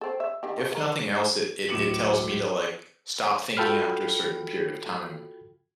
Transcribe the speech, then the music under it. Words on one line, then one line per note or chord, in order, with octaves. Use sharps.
if nothing else, it it it tells me to, like, stop thinking after a certain period of time.
C4 A4
E5
D3 D#3 G4
C#3 G#3 A#3
D#3 A#4
D1 A2 D6 C#7 E7 F#7
F4 F#4 A4 G5 B5 F6